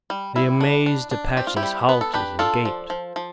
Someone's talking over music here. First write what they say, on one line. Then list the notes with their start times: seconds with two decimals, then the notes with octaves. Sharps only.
The amazed Apaches halted and gaped.
0.10 G3
0.36 G3 E4
0.61 D4
0.86 D4
1.11 D4
1.37 C4 G4
1.47 F4
1.56 E4 G4
1.63 G3
1.89 B3 B4
2.01 A4
2.14 D4 G4 B4
2.39 D4 F4 A4
2.65 F3
2.90 F3
3.16 F3